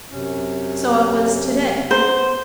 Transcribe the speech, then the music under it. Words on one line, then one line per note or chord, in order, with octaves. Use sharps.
So it was to-day.
F#2 C3 C#4
B3 C5